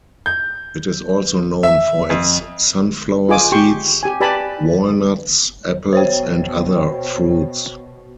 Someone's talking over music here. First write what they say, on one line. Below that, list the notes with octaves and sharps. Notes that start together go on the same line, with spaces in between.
It is also known for its sunflower seeds, walnuts, apples, and other fruits.
G6
E5
F2
F4 G#4 D#5 G#5 D6
G4 G5 C6 C#6
G4 G#5
G4 B4 D5 G#5 A5 B5
B2 C5 C#5 G5